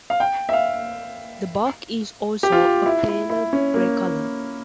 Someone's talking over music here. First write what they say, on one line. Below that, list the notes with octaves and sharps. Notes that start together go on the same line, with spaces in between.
The bark is also a paler gray color.
F5
G5
E5
F5
G4
F4
E4
E4
E4
C#4
A#3